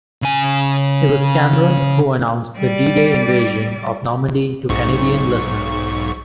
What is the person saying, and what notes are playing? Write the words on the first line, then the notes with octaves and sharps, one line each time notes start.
It was Cameron who announced the D-Day invasion of Normandy to Canadian listeners.
C#3 G#5
G3 D5
B1 G#2 C#6